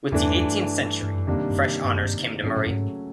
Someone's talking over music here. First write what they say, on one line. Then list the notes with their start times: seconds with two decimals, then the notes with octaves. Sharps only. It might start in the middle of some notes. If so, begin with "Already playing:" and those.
With the eighteenth century fresh honours came to Muri.
0.12 E2 G2 E3 A3 D4
1.02 G2
1.15 F#2
1.27 F2 C3 D#3 G3 A#3 D4
1.50 G2
1.56 F#2
1.84 G2
1.95 F#2
2.04 G2
2.43 G#2 C#3 F#3 A3 C#4
2.56 A2
2.66 G2
2.71 G#2